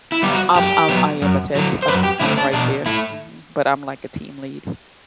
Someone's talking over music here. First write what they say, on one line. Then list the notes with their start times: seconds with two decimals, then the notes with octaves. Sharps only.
um um, I am a tech, I'm I'm right there, mhm, but I'm like a team lead,
0.12 E4
0.23 G3 B3
0.33 F#4
0.55 F#2 G4
0.89 F#3 B3
1.22 F#2
1.55 D3 F#3
1.82 C5
1.88 F#2 B4
2.03 G4
2.20 D3 A3 C4 E4
2.37 D4
2.53 B2 D4
2.86 A3 E4